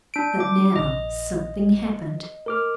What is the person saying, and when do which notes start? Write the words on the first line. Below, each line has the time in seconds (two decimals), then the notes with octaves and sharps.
But now something happened.
0.14 D4 D7
0.40 D6
0.76 A#1 D#5
2.46 A#4 D6 F6